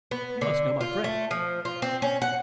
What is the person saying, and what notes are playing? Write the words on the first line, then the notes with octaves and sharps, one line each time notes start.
You must know my friends....
B3
D3
F4
A3
F3
F4
C4
C#4
F#5